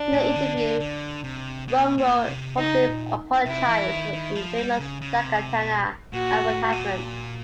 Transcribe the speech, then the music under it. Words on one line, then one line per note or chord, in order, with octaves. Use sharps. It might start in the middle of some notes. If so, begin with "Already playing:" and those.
In the interview, Romero publicly apologized for the infamous "Daikatana" advertisement.
Already playing: D4
A#2
D3
D3
D3
C3
B2
A#2
C3
C#3 D#4
A#2
C3 E4
E3
D#3
D#3
F3
G3
C#3
C#3
C3
B2
A#2 F#4
A2
A#2